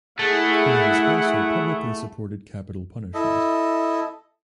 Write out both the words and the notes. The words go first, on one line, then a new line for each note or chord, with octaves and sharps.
He has also publicly supported capital punishment.
A3 E4 G#4 F#5
E4 A4 D#5